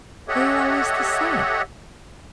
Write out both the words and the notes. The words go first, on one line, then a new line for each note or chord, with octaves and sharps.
"They are always the same."
G4 A4 C#5 D#5 E5 F#5